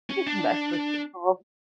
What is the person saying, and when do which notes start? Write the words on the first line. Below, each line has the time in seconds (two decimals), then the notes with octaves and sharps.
Just mess with people.
0.10 C#4
0.26 D4